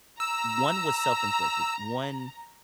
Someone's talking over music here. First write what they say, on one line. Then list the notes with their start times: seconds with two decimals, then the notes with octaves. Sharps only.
one was self-inflicted. One,
0.20 A#5 E6